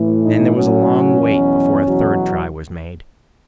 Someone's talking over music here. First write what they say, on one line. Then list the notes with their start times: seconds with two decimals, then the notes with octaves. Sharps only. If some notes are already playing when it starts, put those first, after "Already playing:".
Then there was a long wait before a third try was made.
Already playing: A2 E3
0.24 D#4
0.56 A2 F#3 C#4
1.20 E2 B2 F#3
1.85 E2 B2 F#3